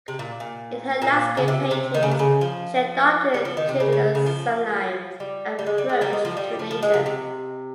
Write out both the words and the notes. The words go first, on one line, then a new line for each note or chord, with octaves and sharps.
In her landscape paintings she adopted Schindler's sublime approach to nature.
C3
A#2
A#2
A#2
C#3
C3
C3
D#3
C#3
C3
C#3
F3
G3
F3
D#3
C3
C#3
C#3
C#3
F3
G3
G3
G#3
G3
G#3
G3 A#3
G#3
F3
G3
F3
F3
G#3
C3
C3